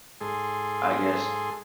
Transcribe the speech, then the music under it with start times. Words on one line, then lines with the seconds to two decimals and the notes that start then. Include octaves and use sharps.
I guess,
0.21 G#2 G#4 A4 C6